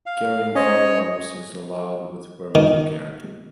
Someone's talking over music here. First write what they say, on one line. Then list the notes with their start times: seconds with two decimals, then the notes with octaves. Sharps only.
Carrying firearms is allowed with permit to carry.
0.06 F5
0.55 C#4 C5 C#5 D#5
2.55 D#3